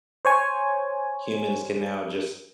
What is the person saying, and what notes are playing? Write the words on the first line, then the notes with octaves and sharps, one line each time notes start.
humans can now, just
C5 C#5 G#5